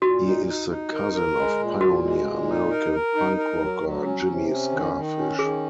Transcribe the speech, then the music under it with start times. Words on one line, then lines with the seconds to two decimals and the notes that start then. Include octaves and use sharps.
He is the cousin of pioneer American punk rocker Jimmy Skafish.
0.02 A#2 F#4
0.25 D#4
0.46 D#4
0.69 D#4
0.92 A#4
1.14 A#4
1.36 G#3
1.59 A#2
1.81 A#2 F#4
2.03 G#3
2.26 A#2
2.47 D#4
2.70 A#4
2.92 A#4
3.15 D#4
3.37 A#4
3.60 F#3
3.83 F#3
4.04 C#4
4.26 C3
4.50 C#4
4.71 D#3
4.94 D#3
5.17 C#4
5.38 D#3 G#4